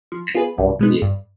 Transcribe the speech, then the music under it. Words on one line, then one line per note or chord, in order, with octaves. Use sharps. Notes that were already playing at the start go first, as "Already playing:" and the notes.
It's healthy,
F3
B3 F4 G#4 B4
C2
B2 G#3 B3 D#4
G2